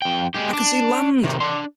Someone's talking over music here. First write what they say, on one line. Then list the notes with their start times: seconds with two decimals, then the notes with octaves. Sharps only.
I can see land!
0.02 F2 G5
0.34 G#3 G4
0.53 D4
1.24 C3 D#3
1.40 D4 C6